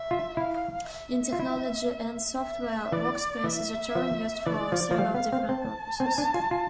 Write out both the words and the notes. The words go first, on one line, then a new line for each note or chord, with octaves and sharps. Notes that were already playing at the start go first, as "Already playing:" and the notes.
In technology and software, "workspace" is a term used for several different purposes.
Already playing: E5
F4
E4 F5
E5
F4
E4
E5
E3 D5
E3 E5
F3
E3 D5
F3
F3
G3 F5
B3
C4
C4 A5
C4
D4
F4
F4